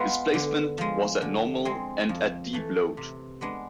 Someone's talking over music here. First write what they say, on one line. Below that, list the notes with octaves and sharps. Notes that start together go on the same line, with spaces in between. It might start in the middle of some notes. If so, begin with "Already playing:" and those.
Displacement was at normal and at deep load.
Already playing: G#3 B3 F4 B4
D3
F3 G#3
D3
G#3 C4 G#4
F2
E3 A3
C3
G#3 B3 D4